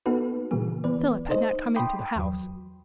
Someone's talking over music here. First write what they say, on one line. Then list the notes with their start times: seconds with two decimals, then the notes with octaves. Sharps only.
Philip had not come into the house.
0.06 A#3 B3 D#4 F#4 A4 B4
0.51 A#2 C#3 E3 G3 A#3 G#4
0.84 E3 B3 B4 D5
1.29 D#4 A4 C5 D#5
1.76 G5 B5 C6 D6 D#6
2.16 E2 F#3